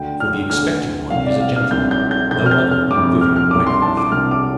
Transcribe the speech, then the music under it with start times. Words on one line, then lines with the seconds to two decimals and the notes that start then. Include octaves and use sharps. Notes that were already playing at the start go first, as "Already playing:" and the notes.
For the expected one is a gentleman-- no other than Vivian Ryecroft.
Already playing: D2 D3 G5
0.20 F6
0.50 D2 D3 F6
1.10 C2 C3 F5
1.26 D5
1.41 F5
1.56 F6
1.71 C2 C3 G6
1.91 G6
2.11 G6
2.31 F2 C3 G6
2.46 F6
2.51 G6
2.71 F6
2.91 F2 C3 D6
3.21 F6
3.36 F6
3.51 C2 C3 D6
3.67 C6
3.82 A5
3.97 D6
4.12 C2 C3 F6
4.31 D6